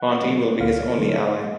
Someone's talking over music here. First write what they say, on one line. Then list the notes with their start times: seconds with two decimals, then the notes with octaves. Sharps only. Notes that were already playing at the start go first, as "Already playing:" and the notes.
Ponti will be his only ally.
Already playing: F#5
0.22 D3 F#3 A3
0.60 D2 F5
0.98 D3 F#3 A3